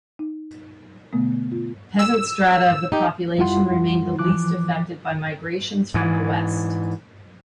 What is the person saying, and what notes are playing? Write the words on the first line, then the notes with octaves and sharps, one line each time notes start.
Peasant strata of the population remained the least affected by migrations from the west.
D#4
B2 D3 A3 B3
F4
E6
D#4 G4
F#2 G3 E4 F4 F#5 C6
E3 F3 D6 F#6
G#2 E3